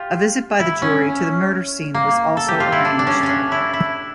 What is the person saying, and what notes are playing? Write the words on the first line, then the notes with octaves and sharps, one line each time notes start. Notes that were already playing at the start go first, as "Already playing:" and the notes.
A visit by the jury to the murder scene was also arranged.
Already playing: F4 G4
E4
C#4
A#3
A4
G4
F4
E4
D4
D4
C#4
C#4
D4
E4
E4